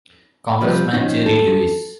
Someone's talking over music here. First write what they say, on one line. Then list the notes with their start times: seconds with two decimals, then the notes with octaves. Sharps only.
Congressman Jerry Lewis.
0.61 C3 F3 G3 C4
0.93 D#3 F3 C#4 D#4
1.26 A4